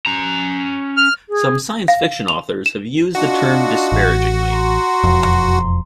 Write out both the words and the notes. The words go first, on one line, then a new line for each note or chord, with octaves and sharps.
Some science fiction authors have used the term disparagingly.
C#4 A#5
F6
G#4
F5
F7
E7
D4 D#4 F4 F#4
A1
A#5 C6
E1 F2